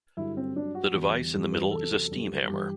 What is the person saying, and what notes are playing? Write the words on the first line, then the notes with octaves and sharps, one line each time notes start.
The device in the middle is a steam hammer.
G2 D3 F#3 E4
C4
G2 F#3 D4
F#4
E2 D3 G3
G2 E3 G3
B4
E2 C3 F#3 A4
F#2 D3 G3
G2 E3 G3 G4